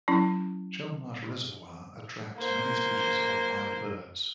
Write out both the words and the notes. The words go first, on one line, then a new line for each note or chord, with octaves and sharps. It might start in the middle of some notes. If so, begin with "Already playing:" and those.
Chelmarsh Reservoir attracts many species of wild birds.
F#3 C#4 E4
A#3 C5